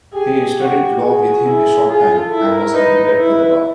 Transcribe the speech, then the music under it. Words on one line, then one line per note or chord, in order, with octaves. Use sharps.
He studied law with him a short time and was admitted to the bar.
G4 G#4
F#4
F#4 G#4
E4
F4 G#4
A4
E4
A#4
D#4 B4
B4
E4
B4